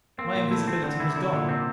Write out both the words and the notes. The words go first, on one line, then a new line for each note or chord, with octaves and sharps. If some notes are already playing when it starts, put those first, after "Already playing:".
My invisibility was gone!
A#3 C4
A#2
A3 E4
C4
D3 C4
C3 E4
D3 E4
A#2 D3
C3 C4